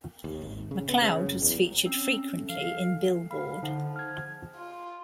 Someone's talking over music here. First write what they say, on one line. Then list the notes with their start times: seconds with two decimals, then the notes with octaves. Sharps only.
McCloud was featured frequently in "Billboard".
0.24 D#2
0.42 G#1
0.71 C#3
0.88 B3
1.02 C#3
1.26 F#1
1.42 E2
1.86 C4 C#4
2.50 F3 F5
3.31 F5 B5
3.62 D3 F3 D#4 F#5
3.96 F6 G#6
4.56 F4